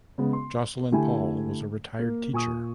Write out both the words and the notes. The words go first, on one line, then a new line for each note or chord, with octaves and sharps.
Jocelyn Paul was a retired teacher.
C#3 G#3 B3
C6
D3 A3 E4 G4 G5 G#5
A#3
A#2 G#5 C#6 D#6